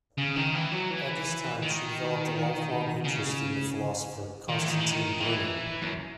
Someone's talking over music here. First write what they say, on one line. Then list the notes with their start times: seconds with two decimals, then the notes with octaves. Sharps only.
At this time, she developed a lifelong interest in the philosopher Constantin Brunner.
0.18 C#3
0.36 D#3
0.54 E3
0.71 F#3
0.90 E3
1.62 D#3
3.05 C#3
4.48 D#3
4.59 E3
4.70 D#3
4.80 E3
4.91 D#3
5.20 E3
5.82 F#2